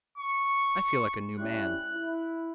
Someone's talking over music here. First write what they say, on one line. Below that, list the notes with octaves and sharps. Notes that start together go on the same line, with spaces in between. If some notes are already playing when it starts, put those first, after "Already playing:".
"I feel like a new man."
C#6
G3 C#4 E4 F#6
E4